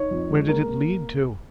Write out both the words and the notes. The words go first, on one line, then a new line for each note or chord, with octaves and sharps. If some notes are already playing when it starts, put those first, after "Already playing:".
Where did it lead to?
Already playing: D#4 C#5
F2
G#3
A#3 A#4
A#3